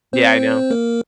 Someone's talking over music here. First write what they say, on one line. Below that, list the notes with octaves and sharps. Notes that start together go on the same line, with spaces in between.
Yeah, I know.
C4 C5
A#3 A#4